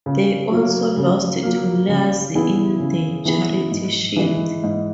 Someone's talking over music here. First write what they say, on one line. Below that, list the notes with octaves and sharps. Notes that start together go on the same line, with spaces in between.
They also lost to Laxey in the Charity Shield.
C#3
F#3 A#3
C#3
F#3 A#3
C#3
E3 B3 E4 G#4
C#3
E3 B3 E4 G#4
G#2
E3 G#3
G#2